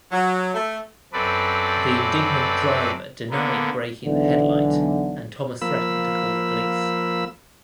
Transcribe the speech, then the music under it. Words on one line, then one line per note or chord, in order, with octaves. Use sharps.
The indignant driver denied breaking the headlight and Thomas threatened to call the police.
F#3
A3
F#2 C4 A4 B4 D5
D3 A#3 B3
B1 D3 E3
F3 A#3 B5 E6